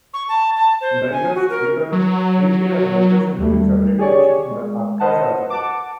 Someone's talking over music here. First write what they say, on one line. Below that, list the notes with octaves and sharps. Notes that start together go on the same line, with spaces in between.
Digraphs with are treated as letters and given separate positions in the Abkhaz alphabet.
C#6
A5
A5
C5
G#5
F#4
A#4
F#3
D#2 G3 A3
G4 G#4 C#5 D5 C#6
G#3
B4 C5 D#5 F#5 A5
F#5 A5 D6